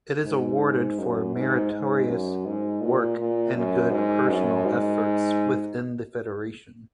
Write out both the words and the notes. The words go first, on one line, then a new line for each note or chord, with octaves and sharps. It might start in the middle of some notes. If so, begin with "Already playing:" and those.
Its awarded for meritorious work and good personal efforts within the federation.
G#2
F#2
G#2
G#2
F#2
G#2
A#2
A#2
F#2
G#2
F#2
G#2